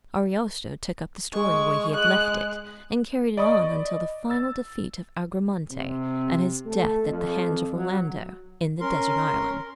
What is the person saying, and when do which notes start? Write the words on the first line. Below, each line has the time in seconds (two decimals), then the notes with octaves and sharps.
Ariosto took up the story where he had left it, and carried it on until the final defeat of Agramante, and his death at the hands of Orlando in the desert island.
1.33 G#3 C#6
1.92 G#3 F#6
3.37 D5 D#5 B5 C#6 D#6
4.30 E6 A6
5.71 C3
6.65 A3
7.07 F2
7.73 F#3
8.80 C#4 A#4 C6